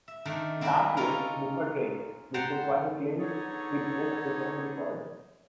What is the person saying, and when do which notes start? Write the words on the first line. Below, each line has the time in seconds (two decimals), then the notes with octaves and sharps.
That year, Buka trained, which is why he claims he broke his own record.
0.08 E5
0.25 D#3 A3 D4 A#5
0.61 A#3 C4 E4 A#4 B4
0.97 A#3 C#4 D#4 F4 A4 A#4
2.34 C5 F#5 G5 A5 A#5 C6
3.19 D3 B3 D#4 G#4 A4 C#5